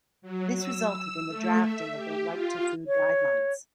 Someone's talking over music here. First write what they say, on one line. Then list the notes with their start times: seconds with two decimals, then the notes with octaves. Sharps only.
This resulted in the drafting of the Right to Food Guidelines.
0.22 F#3
0.57 E6
0.88 E6
1.28 A3
1.61 E5
1.94 G4
2.30 F4
2.87 C#5